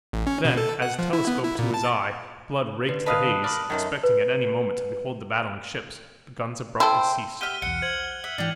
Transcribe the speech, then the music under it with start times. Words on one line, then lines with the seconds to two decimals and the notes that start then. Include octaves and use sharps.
Then, as, telescope to his eye, Blood raked the haze, expecting at any moment to behold the battling ships, the guns abruptly ceased.
0.13 A1
0.27 C#4
0.45 B2
0.57 A4
0.82 F#5
0.99 F3
1.13 E4
1.27 B3
1.44 E4
1.59 A#2
1.74 A5
2.89 D3 B4
3.06 B4 D#5 F5 A5 D#6 F#6
3.44 A#4 D5 B5
3.70 F#2 D#3 F#3 A3
4.03 B4
6.80 E4 A4 C5 G5
7.41 G4 E5 F#5 F6 D#7 G7
7.62 B1 E2 F#5 C#7
7.82 C5 G#6 F#7
8.24 E5 F#6 B6
8.38 G#2 E3 D4 G4